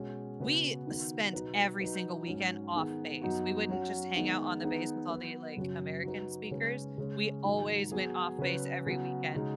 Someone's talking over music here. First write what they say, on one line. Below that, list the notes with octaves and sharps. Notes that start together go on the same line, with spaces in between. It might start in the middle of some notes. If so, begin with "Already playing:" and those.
we spent every single weekend off-base. We wouldn't just hang out on the base with all the, like, American speakers; we always went off-base every weekend.
Already playing: B2 G#3 C#4
C#3 B3 F#4 B4
D#3 B3 F#4 B4
B2 F#3 D#4 B4
F#3 D#4 B4
G#2 F#3 C#4
D#3 B3 G#4
F#2 F#3 B3 D#4 F#4
F#3 C#4 F#4
D#3 G#3 B3 D#4
D#3 B3 D#4 G#4 B4
F#3 B3 F#4 B4
F#2 C#3 F#3 C#4 F#4
F#3 D#4 F#4 B4
C#3 G#3 C#4 B4
C#3 G#3 C#4
G#2 D#3 F#3
F#3 B3 G#4
C#3 F#3 C#4 B4
C#3 F#3 B3 F#4
C#3 G#3 D#4 F#4